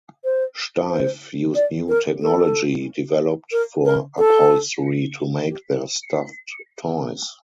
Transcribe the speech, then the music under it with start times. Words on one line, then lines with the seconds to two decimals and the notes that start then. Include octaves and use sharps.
Steiff used new technology developed for upholstery to make their stuffed toys.
0.24 C5
0.90 C5
1.55 D5
1.89 A#4
2.22 A4
3.52 A#4
3.85 A#4
4.18 A4
5.49 G4
5.71 G4